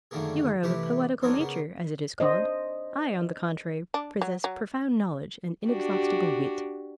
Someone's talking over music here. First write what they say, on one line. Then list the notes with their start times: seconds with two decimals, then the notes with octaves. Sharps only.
You are of a poetical nature, as it is called--I, on the contrary, possess profound knowledge and inexhaustible wit.
0.11 F#2 D3 D#3 A3 A#3 G#4
0.63 C3 E3 A3 E4 G4 B4
1.22 F2 C4 D4 D#4 A#4 C#5
1.38 C#3 A#3 B3
2.20 D4 C5 D#5
3.94 D4
4.21 F#3
4.44 F#3
5.67 D4 F#4 G4